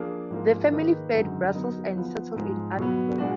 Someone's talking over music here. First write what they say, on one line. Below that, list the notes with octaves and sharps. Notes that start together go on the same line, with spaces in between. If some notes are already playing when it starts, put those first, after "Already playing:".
The family fled Brussels and settled in Antwerp.
Already playing: F3 A#3 D4 G#4
G#2 F3 A#3 F4
D#3 A#3 D#4 G#4 B4
F#2 D3 G#3 D#4 F#4
F#3 B3 D#4 A#4
F3 B3 F4
G#2 F3 G#3
B2 F#3 B3
A#2 G#3 D4 F#4